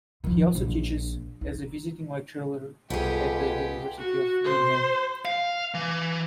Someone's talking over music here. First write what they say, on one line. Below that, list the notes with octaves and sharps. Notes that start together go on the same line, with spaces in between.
He also teaches as a visiting lecturer at the University of Mannheim.
D#3 F3
A#1
D#4
C2 F2 G#3 B3 G4 G#4
F#4
C5
F5
E3